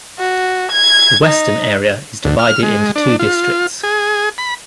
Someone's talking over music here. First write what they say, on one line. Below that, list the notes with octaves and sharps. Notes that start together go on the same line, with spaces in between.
The Western Area is divided into two districts.
F#4
G#6
D#4
D2
F6
G#3
D4
F4
G#4
B5